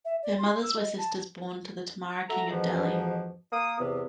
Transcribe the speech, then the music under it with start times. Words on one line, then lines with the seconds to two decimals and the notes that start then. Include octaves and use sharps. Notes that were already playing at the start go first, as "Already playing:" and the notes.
Their mothers were sisters born to the Tomara king of Delhi.
0.05 E5
0.23 D5
0.38 C6
0.63 E6
0.77 D#5
0.98 A5
2.29 F#4 A4 E5 A#5
2.50 F2 G#2 B2 E3 F3
3.52 A#3 D#6
3.79 E2 C3 B3